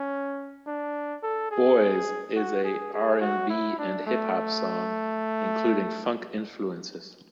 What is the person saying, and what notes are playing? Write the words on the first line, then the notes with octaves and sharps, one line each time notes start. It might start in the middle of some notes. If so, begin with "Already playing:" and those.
"Boys" is a R and B and hip hop song, including funk influences.
Already playing: C#4
D4
A4
G#4
F#4
G#4
G#4
F#4
E4
D4
A3